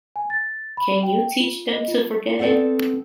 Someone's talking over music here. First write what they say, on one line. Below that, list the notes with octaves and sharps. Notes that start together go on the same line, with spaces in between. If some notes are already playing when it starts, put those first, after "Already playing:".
Can you teach them to forget it?
G#5
A6
B5
G5
F4
D#5
F4
B3 C4 A4 D5 F#5